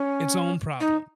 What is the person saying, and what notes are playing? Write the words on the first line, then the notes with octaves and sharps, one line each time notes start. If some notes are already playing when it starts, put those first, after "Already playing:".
its own problem.
Already playing: C#4
D#4